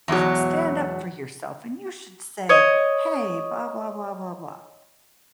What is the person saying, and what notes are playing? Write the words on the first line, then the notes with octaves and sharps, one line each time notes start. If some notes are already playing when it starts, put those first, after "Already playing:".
"You should stand up for yourself, and you should say, 'Hey, blah, blah, blah, blah, blah.'"
E2 G#2 B2 F#3
C#5 D#5